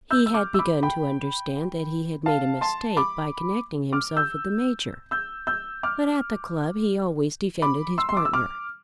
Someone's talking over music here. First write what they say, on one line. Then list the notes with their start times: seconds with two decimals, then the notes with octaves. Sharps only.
He had begun to understand that he had made a mistake by connecting himself with the Major, but at the club he always defended his partner.
0.11 E6 G6
0.26 E6
0.34 D6 F6
0.54 E6
0.59 B5 D6
0.83 G5 B5
2.26 F5 A5
2.61 A5 C6
2.97 B5 D6
3.93 D6 F6
4.17 E6 G6
5.11 E6 G6
5.47 E6 G6
5.83 D6 F6
7.62 B5 D6
7.98 C6 E6
8.09 C6
8.17 D6
8.25 E6
8.33 D6 F6